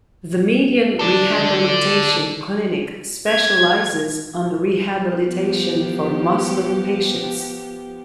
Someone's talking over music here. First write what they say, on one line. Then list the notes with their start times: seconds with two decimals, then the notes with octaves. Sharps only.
The Median Rehabilitation Clinic specializes on rehabilitation for Muslim patients.
0.99 A4 D5
3.27 G#6
5.26 F3 B3 G4